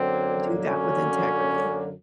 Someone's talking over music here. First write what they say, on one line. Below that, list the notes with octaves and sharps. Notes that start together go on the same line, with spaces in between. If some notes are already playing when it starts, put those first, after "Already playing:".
do that with integrity.
Already playing: F#2 D3 F#3 A#3 C4
C#4